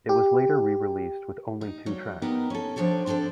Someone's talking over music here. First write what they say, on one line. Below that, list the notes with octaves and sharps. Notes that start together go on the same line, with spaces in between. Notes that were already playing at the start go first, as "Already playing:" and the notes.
It was later re-released with only two tracks.
G4
D#4
F#3 G3
B3 D#4 G4 A#4 B4
C#4 A4
F3 D4 G4 A4 C#5
C4 D4 G4 A4 C5